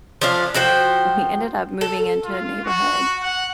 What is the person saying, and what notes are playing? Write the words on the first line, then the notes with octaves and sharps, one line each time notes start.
uh, we ended up moving into a neighborhood,
F3 C#4 D4 F5
F3 F#4 C5 G5
A4
F4
F#4
F#5